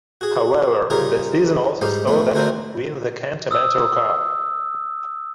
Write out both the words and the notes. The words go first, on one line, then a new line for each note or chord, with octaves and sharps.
However, the season also saw them win the Kent Amateur Cup.
F#4 G#4
C#3 G3 D#4 F4 G#4 A#4
G#2 G3 D#4 G4 F5
F3 A3 B3 D4
D3 A3 C4 F#4 A#4 C5
D#6 E6